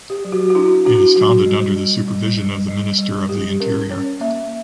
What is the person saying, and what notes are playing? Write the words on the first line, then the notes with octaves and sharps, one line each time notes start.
It is founded under the supervision of the minister of the interior.
G4
F#3
F#4
F#4
D4 E4
D4 F#4
F#3 F#4
G3
G3
G3
G3
G3
G3
G3 G4
C#4 A#4
C#4 C#5
A#3 E5